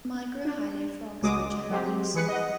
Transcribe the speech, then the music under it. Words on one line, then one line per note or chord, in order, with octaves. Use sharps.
Microhylid frogs are generally small.
D4
C#2 F#3 G#3 D6 D#6
F#3 G#3 C4 G4
E3 G#4 B4 C#7
D#5 F#5